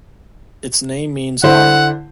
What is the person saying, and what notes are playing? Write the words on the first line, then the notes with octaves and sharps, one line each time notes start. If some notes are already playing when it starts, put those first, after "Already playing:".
Its name means "otter".
D3 E4 C5 F#5